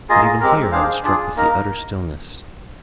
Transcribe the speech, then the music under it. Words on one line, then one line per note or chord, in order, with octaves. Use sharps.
But even here I was struck with the utter stillness.
A#3 F4 G#4 D#5
G#3 C4 G4 A#4
D4 G#4 C5 F5
D4 F4 G#4
A#3 D#4 A#4